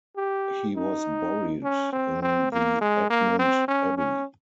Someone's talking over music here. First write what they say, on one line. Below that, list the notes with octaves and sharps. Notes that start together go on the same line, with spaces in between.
He was buried in the Egmond Abbey.
G4
D#4
C#4
C4
C4
A#3
G#3
A#3
C4
C#4
C#4